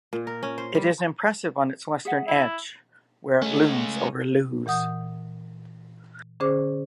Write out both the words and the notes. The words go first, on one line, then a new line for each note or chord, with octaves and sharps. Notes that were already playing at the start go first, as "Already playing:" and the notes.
It is impressive on its western edge, where it looms over Lewes.
A#2
A#4
C#4
C5
G3
G#4 E5 F#5
E4 A5
G#3 A3 C#4
A#2 E3 F#5 D#6 G6
D3 C#4 G#4 C5 D6